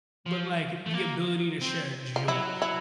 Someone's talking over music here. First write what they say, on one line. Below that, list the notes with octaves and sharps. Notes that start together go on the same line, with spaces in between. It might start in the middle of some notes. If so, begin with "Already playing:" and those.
but like, the ability to share joy.
F3
A3
A#3
C4
F4
F#3 E4
E4